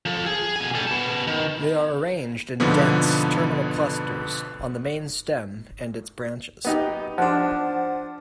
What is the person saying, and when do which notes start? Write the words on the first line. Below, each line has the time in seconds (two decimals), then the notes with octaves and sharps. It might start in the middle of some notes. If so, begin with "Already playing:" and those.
They are arranged in dense, terminal clusters on the main stem and its branches.
0.06 F3 A4
0.26 G#4
0.56 B2 G#5
0.75 G3 A4
0.87 B3 A5
1.27 D#3
2.60 F2 G#2 B2 D3 F3 B3
6.65 B3 D#4 G4
7.18 F3 D4 C5 F#5